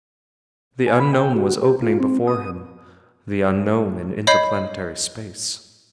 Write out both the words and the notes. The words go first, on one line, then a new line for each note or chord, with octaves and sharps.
The Unknown was opening before him, the Unknown in interplanetary space.
G#5
B5
G5
F#4
G4
F4
C4
D#6
C#5 D#5 B5 G6 C7